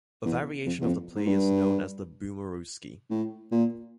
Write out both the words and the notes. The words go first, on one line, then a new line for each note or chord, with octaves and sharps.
A variation of the play is known as the Bumerooski.
E2
F2
E2
F2
G#2
G2
A2
A#2